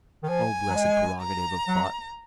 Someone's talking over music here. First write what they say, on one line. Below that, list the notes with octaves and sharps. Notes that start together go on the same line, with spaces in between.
O blessed prerogative of thought!
D#3
F3 G#5
F#3
G#3
A#5
F#3